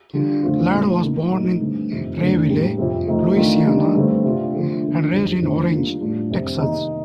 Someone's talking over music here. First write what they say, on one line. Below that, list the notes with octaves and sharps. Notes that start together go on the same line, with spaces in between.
Ladd was born in Rayville, Louisiana and raised in Orange, Texas.
D3 G3 D4 F4
F2 D3 A3 C4 F4
A#2 A3 D#4
D#3 A#3 D#4
A#2 A3 D#4
G2 D3 A3 C4
F2 C3 D#3
F2 D3 A3 D4
A2 G3 A#3
F2 C3 F3 C4
C3 F3 A3 D#4
D#3 A3 D4 F4
D#3 G3 A#3 D4
G2 D3 A3 C4
C3 G3 D4 F4
D3 F3 A3
D3 F3 A#3 D4
F2 D#3 G3 C4
F2 D3 A3 C4 F4
D#3 G3 A#3 D4 F4
A2 G3 D4 F4
F2 C3 G3 C4
C3 D#3 A#3 D#4